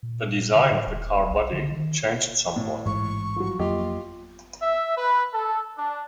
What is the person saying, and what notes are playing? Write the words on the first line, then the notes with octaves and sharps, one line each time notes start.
The design of the carbody changed somewhat.
A#2
D3
A2
E1
B1
D3
D#3
A2
A1 G#2 G#3 C#6
F3 F#3
F2 F#3 A#3 F4 G4 D#5
E5
B4
A4
D4